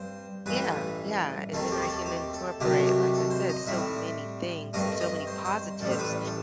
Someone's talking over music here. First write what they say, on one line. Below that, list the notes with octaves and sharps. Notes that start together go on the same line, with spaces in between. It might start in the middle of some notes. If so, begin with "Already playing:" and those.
Yeah, yeah, and then I can incorporate, like I said, so many things and so many positives
Already playing: G2 C4 C5
A1 G2 E3 B4
D#2 D#3 A3 C4 A4
A4
G4
G4
A4
G4
A4
C2 C3 D#3 F#3 A3 G4
G4
A4
C5
D#5
A2 G3 C4 E5
G2 D#3 A3 C4 D#5
D#5
C5
C5
A1 A2 G3 A4
C5
B4
A4